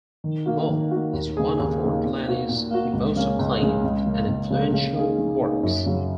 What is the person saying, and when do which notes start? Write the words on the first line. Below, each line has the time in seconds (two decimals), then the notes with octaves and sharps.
"More" is one of Ortolani's most acclaimed and influential works.
0.24 D#3
0.46 A#3 F#4
0.69 D#3
0.91 A#3 F#4
1.13 D#2
1.37 C#3 A#3 D#4 G#4
1.59 D#2
1.82 C#3 A#3 D#4 G#4
2.03 A#2
2.26 A#3 F#4
2.49 A#2
2.71 A#3 F#4
2.93 C#2
3.16 C#3 A#3 C#4 G#4
3.39 C#2
3.61 C#3 A#3 C#4 G#4
3.84 C#2
4.06 C#3 A#3
4.28 C#2
4.50 C#3 A#3
4.73 C#3
4.95 A#3 D#4 G#4
5.19 C#3
5.41 A#3 D#4 G#4
5.63 F#2
5.86 C#3 F#3